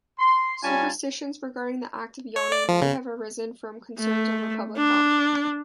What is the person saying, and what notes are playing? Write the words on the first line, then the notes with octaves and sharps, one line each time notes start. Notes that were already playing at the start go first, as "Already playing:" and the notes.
Superstitions regarding the act of yawning may have arisen from concerns over public health.
C6
G3 C#4 F4 G#5 A5
C#5
D5
F3
C#3
A3
D4